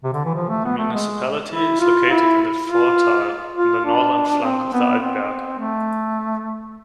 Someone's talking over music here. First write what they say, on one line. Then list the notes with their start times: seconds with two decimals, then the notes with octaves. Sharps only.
The municipality is located in the "Furttal" on the northern flank of the Altberg.
0.04 C3
0.13 D3
0.25 E3
0.35 F3
0.49 A3
0.65 B3
0.78 A3
0.93 G#3
1.52 E4
1.81 F4
2.10 E4
2.68 F4
3.56 F4
3.85 D4
4.43 C4
4.73 B3
5.01 C4
5.59 A3